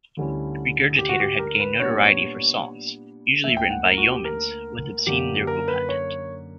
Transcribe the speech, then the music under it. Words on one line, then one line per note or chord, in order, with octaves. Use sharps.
Regurgitator had gained notoriety for songs, usually written by Yeomans, with obscene lyrical content.
D2 D3 G3 C#4 E4
G4
F#4
G4
A#4
B4
A#2 G3 B3 D4 C#5
D2 D3 A#3 E5
G5
F#5
A#4
F#4
G4
A#4
F#2 D3 A#3 G4
G4
A#4
B4
C#5